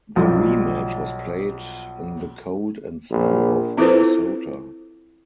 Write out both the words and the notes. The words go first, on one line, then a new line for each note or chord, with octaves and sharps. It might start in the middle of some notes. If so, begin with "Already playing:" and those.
The rematch was played in the cold and snow of Minnesota.
B1 F3 G3
A#1
C4 E4 F4 A4 B4 C5